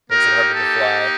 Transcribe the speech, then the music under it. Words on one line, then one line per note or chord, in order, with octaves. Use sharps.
makes it harder to fly.
A#3 D#4 G4 A#4
A4